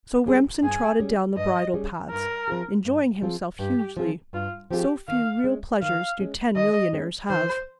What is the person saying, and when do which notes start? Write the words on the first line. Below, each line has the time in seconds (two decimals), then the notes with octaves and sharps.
So Remsen trotted down the bridle paths, enjoying himself hugely, so few real pleasures do ten-millionaires have.
0.26 G3 C#4 G#4
0.62 G2 G#4
1.00 G3 C#4 G#4
1.37 G2 D#5
1.74 G3 C#4 G#4
2.11 G2 A#4
2.48 F3 C4 F4 G#4
2.85 G2
3.22 F3 C4 F4 G#4
3.59 G2 G4
3.97 F3 C4 F4 G#4
4.33 G2 F4
4.71 F3 C4 F4 G4 G#4
5.08 D#3 F5
5.44 G#3 C#4
5.82 D#3 F5
6.19 G#3 C#4
6.56 D#3 D#5
6.93 G#3 C#4
7.29 D#3 C5